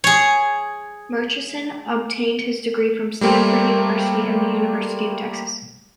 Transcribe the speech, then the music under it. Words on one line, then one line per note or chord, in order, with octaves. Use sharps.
Murchison obtained his degree from Stanford University and the University of Texas.
G#4 C#5
G3 A3 A#3 G4 C5